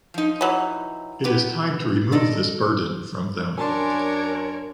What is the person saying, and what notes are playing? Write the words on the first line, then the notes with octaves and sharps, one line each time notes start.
It is time to remove this burden from them.
F3 D#4
E3 F#3
B3 G4 B4
A4 D5 D#5
F#2 D4 A#4 C#5 G#5 A5 C6